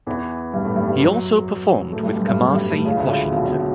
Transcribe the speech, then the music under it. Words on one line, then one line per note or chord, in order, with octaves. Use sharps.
He also performed with Kamasi Washington.
E2 E3
G2 G3
A2 A3
G2 G3
G2 G3
F#2 F#3
A2 A3
G2 G3
F#2 F#3
G2 G3
A2 A3
G2 G3
A2 A3
C#2 C#3
D2 D3
C#2 C#3
B1 B2
B1 B2